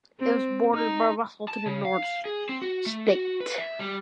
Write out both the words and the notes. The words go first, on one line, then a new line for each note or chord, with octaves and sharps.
It was bordered by Russell to the north, Ste.
C4
D#4
A5
C#3
F5
G#4
C4
F#4
A3
F#4
B4
E5
G3